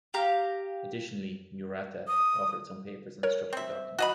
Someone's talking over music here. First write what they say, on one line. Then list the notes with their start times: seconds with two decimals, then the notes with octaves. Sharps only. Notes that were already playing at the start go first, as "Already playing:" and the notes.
Additionally, Murata authored some papers on structured document.
0.14 G4 F5 A#5
2.08 D#6
3.23 A#4 C#5
3.53 C4 E5
3.98 F#4 D#5 B5